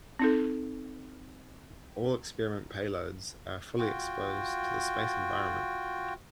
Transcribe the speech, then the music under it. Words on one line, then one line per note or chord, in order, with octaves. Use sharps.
All experiment payloads are fully exposed to the space environment.
C4 D#4 A4
F4 F#4 G5